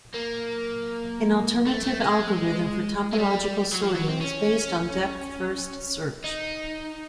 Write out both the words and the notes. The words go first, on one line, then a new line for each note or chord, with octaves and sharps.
An alternative algorithm for topological sorting is based on depth-first search.
A#3
A3
A3
G#3
G#3
G3
F#3
F3
F#3
C4
C#4
D#4